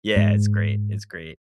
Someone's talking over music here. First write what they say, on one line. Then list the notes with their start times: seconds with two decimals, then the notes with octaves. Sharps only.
Yeah, it's great. It's great.
0.16 G#2